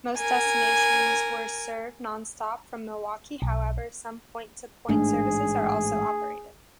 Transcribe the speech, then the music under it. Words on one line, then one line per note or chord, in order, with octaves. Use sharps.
Most destinations were served nonstop from Milwaukee; however, some point-to-point services were also operated.
A#4 G#5
B1
A1 G#2 A3 D4 G#4